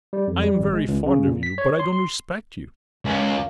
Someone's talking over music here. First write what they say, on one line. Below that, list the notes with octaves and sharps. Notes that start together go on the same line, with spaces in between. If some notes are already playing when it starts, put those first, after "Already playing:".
I am very fond of you, but I don't respect you.
G3
F2
G3
G#1
G#3
C#2
C#3
A#2
B6
C#5
C6
C6
C#2 A#3